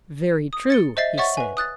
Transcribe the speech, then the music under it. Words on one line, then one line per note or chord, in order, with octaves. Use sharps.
Very true, he said.
D#6
A6 C#7 G7
C5 D#5 E5 A6 C7
C#5 E5 F#5 C#6 A6
B4 G#5
D#6 F#6 A6